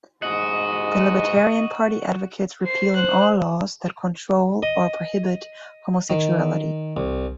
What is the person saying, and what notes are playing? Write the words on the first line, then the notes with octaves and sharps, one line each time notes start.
The Libertarian Party advocates repealing all laws that control or prohibit homosexuality.
G#2 F#4 D#5
C5 C7
C5 F#6
D#5
D#3
C2